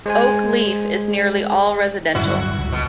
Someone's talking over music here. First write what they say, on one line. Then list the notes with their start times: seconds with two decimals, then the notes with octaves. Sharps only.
Oak Leaf is nearly all residential.
0.06 G#3 C5 G#5
2.15 D1 G2 F#3 E4 F#4
2.59 C#2
2.72 B2